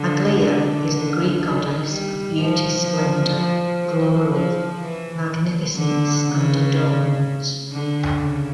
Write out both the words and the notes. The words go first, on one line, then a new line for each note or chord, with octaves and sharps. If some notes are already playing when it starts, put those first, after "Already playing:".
Aglaea is the Greek goddess of beauty, splendor, glory, magnificence, and adornment.
Already playing: D3
D3
D3
D#3
G3
F3
F3
F3
F3
F3
E3
D3
C#3
D3
C#3